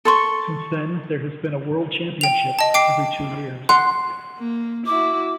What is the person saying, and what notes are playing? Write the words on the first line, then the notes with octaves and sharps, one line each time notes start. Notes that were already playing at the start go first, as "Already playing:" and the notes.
Since then, there has been a World Championships every two years.
A4 C6 C#6
G5 F7
D#5 A5
G5 D6 C7
F#5 C6 F#6
A#3
E4 F#4 D6